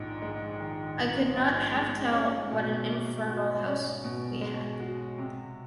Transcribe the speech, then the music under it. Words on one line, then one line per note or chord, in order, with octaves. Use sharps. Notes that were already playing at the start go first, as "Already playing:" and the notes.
I could not half tell what an infernal house we had.
Already playing: A#1 G#2 D#3
G#3
D#3
A#1
G#2
G#3
C#4
B2
G#3
F#4
C#4
B2
G#3
F#4
C3